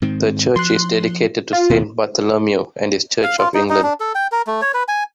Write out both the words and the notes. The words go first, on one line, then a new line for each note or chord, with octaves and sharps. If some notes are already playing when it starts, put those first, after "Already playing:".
The Church is dedicated to Saint Bartholomew and is Church of England.
G#2 D#3 C4
F3 C6 F#6
F4
D#2 B2 D#3
F5
F4
D#4
D#4
D4
A4
G5
A#4
A3
C#5
B4
G#5